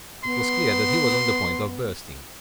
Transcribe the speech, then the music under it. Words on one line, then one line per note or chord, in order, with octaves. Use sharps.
It was clear that he was on the point of bursting.
B3 C6